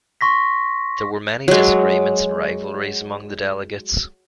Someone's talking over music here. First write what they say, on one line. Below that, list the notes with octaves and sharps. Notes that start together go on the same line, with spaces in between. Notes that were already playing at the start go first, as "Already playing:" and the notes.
There were many disagreements and rivalries among the delegates.
C6 C#6 A#6 B6
F#3 G#3